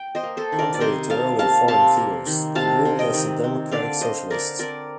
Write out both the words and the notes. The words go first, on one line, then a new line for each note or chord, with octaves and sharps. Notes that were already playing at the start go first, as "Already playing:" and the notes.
Contrary to earlier foreign fears, he ruled as a democratic socialist.
Already playing: G5
C5 D#5
A#3
A4 C5
D#3
A#4 D5
D5
C3 C5 D#5
C3 F5 A5
A#3 F5 A5
C3 F5 A5
A#3
D#3
C3 F5 A5
C3
D#5 G5
D#3
C4
D3 D5 F5
D3 C5 D#5
D3 A#4 D5
C4 A#4 D5